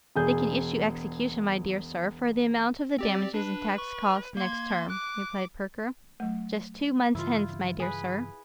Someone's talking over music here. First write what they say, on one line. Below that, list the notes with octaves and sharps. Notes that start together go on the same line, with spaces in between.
'They can issue execution, my dear Sir, for the amount of the damages and taxed costs, next term,' replied Perker, 'just two months hence, my dear sir.'
E1 G#4 G6
C4 G4 D5
D4 B4
C#6
A#3 C6 G#6
D6 F#6
F#3 A3
G2 C#3 E3 E4 F4
G#4 B4